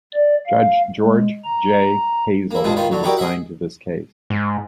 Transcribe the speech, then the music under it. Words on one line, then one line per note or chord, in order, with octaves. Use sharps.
Judge George J. Hazel is assigned to this case.
D5
F5
G#3
A#5
A#3 E4
E2 G2 F3 G#3 G#4
D#3 F4 B4 C5
D3 F#3
D#4 E4 F#4 G4 A#4 D5
G#4 D#5 E5 F#5
G#2